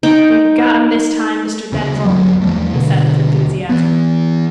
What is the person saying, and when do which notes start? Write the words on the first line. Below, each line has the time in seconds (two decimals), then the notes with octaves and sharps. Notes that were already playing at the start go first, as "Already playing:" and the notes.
"We've got him this time, Mr. Denzil," he said, with enthusiasm.
0.03 D#4 G5
1.72 D#2 C#3
2.05 G1 D#2 F#3 G3
2.41 E2 F3 G3 A3
2.73 D#2 B2 D3
3.69 E3 B3